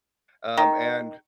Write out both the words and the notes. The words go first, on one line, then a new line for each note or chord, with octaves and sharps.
Um, and
D#3